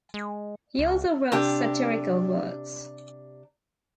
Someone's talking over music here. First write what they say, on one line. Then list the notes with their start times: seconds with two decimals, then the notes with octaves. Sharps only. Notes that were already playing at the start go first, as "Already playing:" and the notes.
He also wrote satirical works.
0.14 G#3
0.78 C#2
1.32 C3 D4 G4